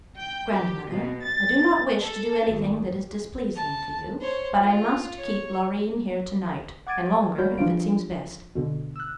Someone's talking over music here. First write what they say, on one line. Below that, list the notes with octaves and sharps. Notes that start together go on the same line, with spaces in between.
"Grandmother, I do not wish to do anything that is displeasing to you, but I must keep Loreen here tonight, and longer if it seems best."
G5
G4
B2
A6
A4
G#1
A5
C5 C#5
F4
C#5
F#5 D6 G#6 A6 D7 D#7
G3 F#4 C#5 B5 F6 G6
E3 F3 D4 F4 F5 D7
B2 D3
E6 F#6